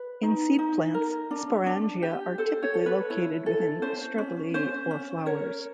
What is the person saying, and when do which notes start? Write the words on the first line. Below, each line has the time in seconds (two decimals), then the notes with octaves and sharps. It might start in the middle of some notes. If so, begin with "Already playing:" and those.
In seed plants, sporangia are typically located within strobili or flowers.
Already playing: B4
0.23 D#4
0.59 D#4
0.94 A#4
1.31 D4
1.66 D4
2.02 G4
2.38 A4 C5
2.62 C#5
2.74 A4
2.86 B4
3.10 E4 C#5
3.46 A4
3.82 C#4 C5
4.18 C#4
4.54 C#4 C5
4.91 C#4
5.26 A#4 C#5